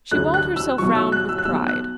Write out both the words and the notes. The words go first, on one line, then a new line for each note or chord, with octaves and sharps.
She walled herself round with pride.
D2 D3 F#3 F#6
F#6
E6
B1 B2 F#3 C#6
E6
F#6
E6
F#6
B1 B2 F#3 E6
F#6